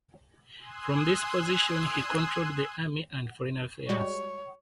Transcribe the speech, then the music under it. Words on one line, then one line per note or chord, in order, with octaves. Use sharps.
From this position he controlled the army and foreign affairs.
G#5 C6 D#6 E6 F#6 G#6
G3 G#3 F#4 C#5